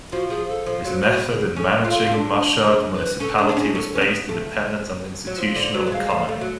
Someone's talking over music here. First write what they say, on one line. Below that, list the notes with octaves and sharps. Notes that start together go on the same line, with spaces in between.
His method in managing Mashhad Municipality was based on dependence on institutional economy.
F3 F#4
F3 G#4
A4
F3
F#3
B3 F#4
G#4
C#4 A4
F4
F4
D4
G#4
B4
C#4 A4
D4 G#4
D4
C#4 G#4
C#4 A4
C#4 B4
B3
A3
F#3
F3
D3
F#3
A3
G#3 F5
A3
A3
F#3